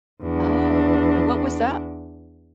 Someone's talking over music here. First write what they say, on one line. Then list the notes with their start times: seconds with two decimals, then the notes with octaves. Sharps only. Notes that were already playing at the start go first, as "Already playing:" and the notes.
Oh, and what was that
0.23 E2 D4